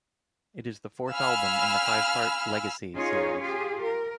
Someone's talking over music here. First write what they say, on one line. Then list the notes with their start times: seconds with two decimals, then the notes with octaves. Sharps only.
It is the fourth album in the five-part "Legacy" series.
1.11 F5 G#5 B5 E6 F6
2.95 C#4 D#4 F4 G#4 C#5
3.41 F4 G4 G#4
3.82 A#4